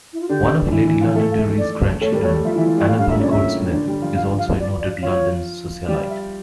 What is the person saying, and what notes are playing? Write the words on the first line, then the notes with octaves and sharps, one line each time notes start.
One of Lady Londonderry's grandchildren, Annabel Goldsmith, is also a noted London socialite.
E4
F4
D3 D4 G4
E3 E4
E3 E4
F3 F4
A3 A4 E5
F5
E5
D5
A3 A4 C#5
G3 G4
A#4
A3 A4 C#5
G3 G4
F3 F4 E5
E3 E4
E5
F3 F4
G3 G4
A2 A3 F5
G2 G3 F5
A#2 A#3 E5
C#3 C#4 D5
E5
D3 D4
G3 G4
F3 F4
F5
F5
D5
D5
F3 F4 C#5
G3 G4 D5
E5